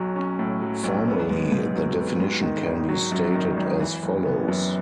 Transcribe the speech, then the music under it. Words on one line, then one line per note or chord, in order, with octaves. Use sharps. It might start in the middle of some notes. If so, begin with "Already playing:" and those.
Formally, the definition can be stated as follows.
Already playing: B1 F#3
C#4
A2
F#3
B1
B3
G#2
G#2
F#3
B3
G#2
D#3
G#1
F#3
F#2
D#3
G#1
E3
F#1
B3
F#2